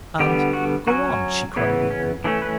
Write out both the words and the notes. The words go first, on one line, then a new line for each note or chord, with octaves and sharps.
And--'Go on,' she cried eagerly.
D3 G3 B3 G4
F#4
F#3 C#4 F#4
C#3 E3 B3 E4
C#4
E3 A3 C#4 D4
B4